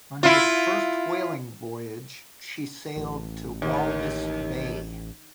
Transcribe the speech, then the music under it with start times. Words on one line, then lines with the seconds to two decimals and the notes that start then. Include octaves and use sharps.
On her first whaling voyage she sailed to Walvis Bay.
0.23 E4 F4
2.96 A1
3.62 D#2